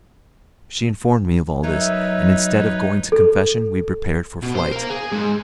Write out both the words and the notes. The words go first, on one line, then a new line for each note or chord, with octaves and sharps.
She informed me of all this, and instead of going to confession we prepared for flight.
F#2 F#3 D#4 A#4 B4 C#5 D#5 E5
A4
B2 B3
C5
A#4 F5
G#4
G#2